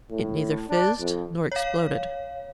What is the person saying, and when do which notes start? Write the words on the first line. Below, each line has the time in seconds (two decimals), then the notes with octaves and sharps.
It neither fizzed nor exploded.
0.11 A2
0.69 D4
0.99 F2
1.52 C#5 F5